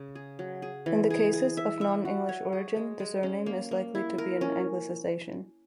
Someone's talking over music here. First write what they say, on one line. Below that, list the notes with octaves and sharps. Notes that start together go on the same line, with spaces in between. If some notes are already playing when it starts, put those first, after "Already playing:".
In the cases of non-English origin, the surname is likely to be an Anglicisation.
Already playing: C#3
G#4
F#3
G#4
E3
G#4
G#4
E5
E5
F#4
C#5
G#4
G#3
G#3
C#4
A#3
A#3
E4
A#4
C#4